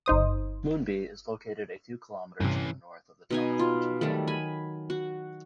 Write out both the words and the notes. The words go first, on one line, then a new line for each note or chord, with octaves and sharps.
Moonbi is located a few kilometres to the north of the town of Kootingal.
G1 D#4 C5 D#6
G2 C3 E3 C#4
B2 D#4 G#5
F4
D#3 F#3 G3 A3
G#5 B5
F#4